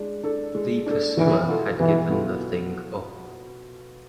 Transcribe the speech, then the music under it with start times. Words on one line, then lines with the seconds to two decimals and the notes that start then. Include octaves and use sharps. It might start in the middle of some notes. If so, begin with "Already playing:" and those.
The pursuer had given the thing up.
Already playing: G#3 D4
0.23 D4 A4
0.55 G#3
0.86 D4 A4
1.17 B2 E3
1.48 B3 F4 A4
1.80 B2 E3
2.10 B3 F4 A4